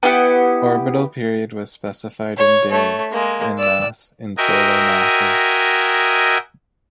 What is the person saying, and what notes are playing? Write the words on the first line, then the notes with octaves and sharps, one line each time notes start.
Orbital period was specified in days, and mass in Solar masses.
B3 E4 G4 F#5
C#5
A3 C#5
G#3 A#3
D5 E6
F#4 A#4 D#5 E5 G5 G#5